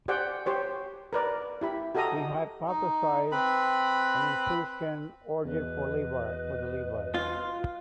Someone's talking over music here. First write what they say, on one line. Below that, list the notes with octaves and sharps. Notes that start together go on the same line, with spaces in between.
He hypothesized an Etruscan origin for the Livii.
G4 G#4 C5 D5 F#5 G5
G4 C5 C#5
A#4 B4 D5
E4 G4 B5
F#4 G4 A4 D#5 A#5 D#6
D#4
C4 B4 B5
E2 B2 F#4 B4 D#5
F4